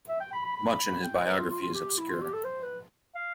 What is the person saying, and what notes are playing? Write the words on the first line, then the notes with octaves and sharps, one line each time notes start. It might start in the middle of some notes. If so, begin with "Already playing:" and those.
Much in his biography is obscure.
E5
G5
B5
B5
B5
G5
C5
B4
F4
F4
F4
G4
E4
F4
G4
A4
C5
B4
F5